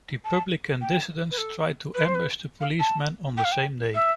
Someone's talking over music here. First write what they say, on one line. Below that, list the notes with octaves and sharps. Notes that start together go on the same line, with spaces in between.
Republican dissidents tried to ambush policemen on the same day.
A5
G5
B4
A4
B4
C5
B4
F5
A5
G5
F5
G5
E5